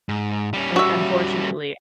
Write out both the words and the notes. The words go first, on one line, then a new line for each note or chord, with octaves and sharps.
Like, unfortunately I
G#2
G3 C#4
F#4 E5